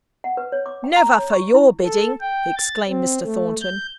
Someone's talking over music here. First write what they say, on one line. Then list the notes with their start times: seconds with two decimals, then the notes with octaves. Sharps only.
'Never, for your bidding!' exclaimed Mr. Thornton.
0.24 F#5
0.37 B4
0.52 C#5
0.66 D6
0.84 G5
0.96 A#5
1.19 C#5
1.32 C#6
1.54 E4
1.84 A4
2.20 G5
2.56 A6
2.89 C4
3.25 A3
3.61 G6